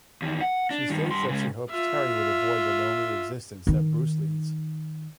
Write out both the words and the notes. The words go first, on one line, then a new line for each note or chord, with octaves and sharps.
She states that she hopes Terry would avoid the lonely existence that Bruce leads.
E2 D#3
F#5
D4
G2 D#3
G2 C6
C#3 G#3
F4 E5
D#3 D#4